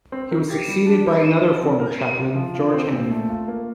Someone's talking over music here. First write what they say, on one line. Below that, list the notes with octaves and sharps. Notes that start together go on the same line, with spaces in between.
He was succeeded by another former Chaplain, George Henry.
C4
A#4
G4
G3
D4
A#4
D#4
F3
C4
A#4
C4
C3
F3
F4
C4
A#2
A3
F4
A#3